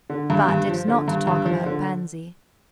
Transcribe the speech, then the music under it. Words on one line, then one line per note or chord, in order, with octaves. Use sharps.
"But it's not to talk about Pansy."
D3
G2
G2
F3
D3
G2
G2
F3
D3